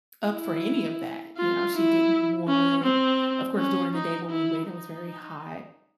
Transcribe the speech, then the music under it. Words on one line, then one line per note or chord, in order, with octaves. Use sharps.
up for any of that, you know, she didn't want of course during the day when we went, it was very hot,
E4
F4
E4
C#4
C4
C#4
D#4
E4
D#4